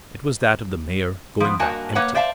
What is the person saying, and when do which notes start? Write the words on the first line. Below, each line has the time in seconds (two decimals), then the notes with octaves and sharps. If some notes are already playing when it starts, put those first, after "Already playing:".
It was that of the mayor, going back empty.
1.40 F3 B3
1.59 G2 A#3 F#4 D#5 G#5 A5
1.95 A#3 B4 C#5 F#5
2.14 C5 D5 E5 F5 A5